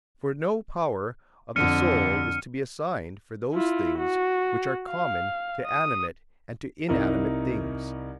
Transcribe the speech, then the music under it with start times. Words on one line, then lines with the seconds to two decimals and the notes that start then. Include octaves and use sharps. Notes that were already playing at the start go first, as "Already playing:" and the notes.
For no power of the soul is to be assigned for those things which are common to animate and to inanimate things.
1.56 F2 D3 F6 C#7 D#7
3.54 E4 F4
3.99 F#4
4.89 F5
5.67 D#6
6.89 C2 D#4 E4 A#4